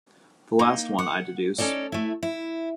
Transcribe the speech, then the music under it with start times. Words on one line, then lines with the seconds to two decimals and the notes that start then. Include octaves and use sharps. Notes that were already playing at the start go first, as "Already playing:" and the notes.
The last one, I deduce.
0.59 A#3 D#4
0.98 F#5
1.58 C#4 D#4 A4 D5
1.92 A3 E4
2.23 E4